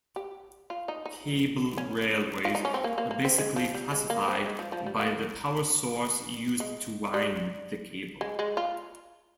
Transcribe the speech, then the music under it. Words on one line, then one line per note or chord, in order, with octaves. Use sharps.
Cable railways are basically classified by the power source used to wind the cable.
G4
F4
D#4
D#4
C#4
F4
D#4
C#4
C4
A#3
A#3
A#3
C4
G#3
F3
G3
G#3
A#3
C4
G#3
F3
F3
G3
A#3
G#3
G3
G#3
G#3
F4